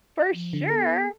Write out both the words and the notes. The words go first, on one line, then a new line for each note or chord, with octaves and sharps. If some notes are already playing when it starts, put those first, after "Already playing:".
For sure!
F3
D3
B3 A4